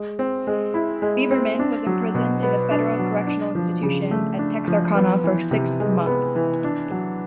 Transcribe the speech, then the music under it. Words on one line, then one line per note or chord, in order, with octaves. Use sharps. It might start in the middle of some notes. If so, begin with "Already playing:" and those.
Biberman was imprisoned in the Federal Correctional Institution at Texarkana for six months.
Already playing: G#3
C4
G#3
E4
G#3
C4
D4
F#3
B2
B3
D4
F#3
D4
F3
C#3
A3
D4
F3
B3
E3
C3
G#3
B3
E3
D4
F#3